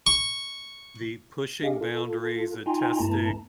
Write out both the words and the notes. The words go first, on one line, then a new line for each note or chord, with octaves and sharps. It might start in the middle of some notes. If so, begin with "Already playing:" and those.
the pushing boundaries and testing,
C#6
D4 G4 G#4 D#5 F5
F4 A4
D#4 F4 G5 G#5 A#5 C6
G2 A3 B3 E4 A5 A#5